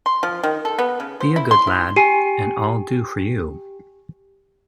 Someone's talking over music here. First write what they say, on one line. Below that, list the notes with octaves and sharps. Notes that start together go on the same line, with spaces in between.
Be a good lad; and I’ll do for you.
C6
F3
D#3
A4
B3
C#3
C5
E4
C6
E4
G4 G#5 C7 D#7